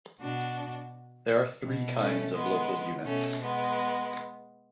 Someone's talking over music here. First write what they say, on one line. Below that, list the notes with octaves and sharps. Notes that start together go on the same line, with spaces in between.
There are three kinds of local units.
B2 D4 F#4
B2
A3 C#4
G#3 B3
B2 A3 C#4
G#3 B3